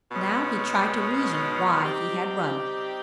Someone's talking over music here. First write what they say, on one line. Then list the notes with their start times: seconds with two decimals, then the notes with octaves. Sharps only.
Now he tried to reason why he had run.
0.12 B2 G#3 C#4
1.84 G3 C4 D#4 G4